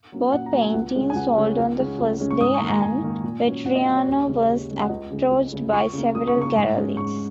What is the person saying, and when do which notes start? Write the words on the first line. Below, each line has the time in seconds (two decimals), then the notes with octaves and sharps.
Both paintings sold on the first day and Vettriano was approached by several galleries.
0.12 F#3 A#3 C#4
0.32 A#2 F#5
0.46 A#5
0.53 F#3 A#3 C#4
0.61 G#5
0.74 C#2 F#5
0.95 C#3 G#3 C#4
1.10 G#5
1.15 C#2 F#5
1.37 C#3 G#3 C#4
1.58 C#2
1.78 C#3 G#3 C#4
1.99 C#2
2.20 C#3 G#3 C#4
2.31 C#6
2.41 G#2 D#6
2.54 C#6
2.61 D#3 A#3
2.68 A#5
2.82 G#2 G#5
3.02 D#3 A#3
3.23 A#2
3.44 F#3 C#4
3.65 A#2 F#5
3.75 D#5
3.85 F#3 C#4 F#5
3.97 C#5
4.07 D#2 C#5
4.27 C#3 G#3 C#4
4.48 D#2
4.70 C#3 G#3 C#4
4.81 F#5
4.89 C#2 D#5
5.11 C#3 G#3
5.31 C#2
5.52 C#3 G#3
5.72 C#2 C#6
5.93 C#3 A#3
6.15 C#2 D#6
6.28 C#6
6.35 C#3 A#3
6.42 C#6
6.56 G#2
6.76 G#3 C#4
6.97 G#2 C#6